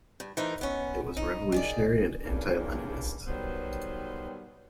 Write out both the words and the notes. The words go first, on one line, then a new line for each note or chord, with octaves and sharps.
It was revolutionary and anti-Leninist.
G2
E3 A3 D#4 A#4 C5
B3 C#4
D#4
D#3 G#4 D5
E2 G2 A#2 D#3 C#4 D4
B2 D#3 F#3 G3 B3 C5